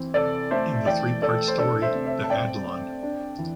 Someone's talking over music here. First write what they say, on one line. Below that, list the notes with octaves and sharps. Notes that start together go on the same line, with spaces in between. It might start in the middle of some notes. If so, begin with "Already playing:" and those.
In the three-part story "The Adlon".
Already playing: E3 C4
C3 A4 D5
A3 C5 E5
E3 D5 G5
A3 A4 D5
C5
D4 A4 D5
C5 E5
C3
C5 E5
A5
C4 D5 G5
C4
D4
E3